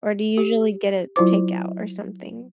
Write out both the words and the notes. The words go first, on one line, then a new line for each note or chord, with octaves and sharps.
or do you usually get it takeout or something?
G4
F#3 E4 F4 C5 D6